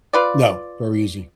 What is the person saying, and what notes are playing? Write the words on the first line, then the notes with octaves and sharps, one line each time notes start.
No, very easy,
F4 B4 D5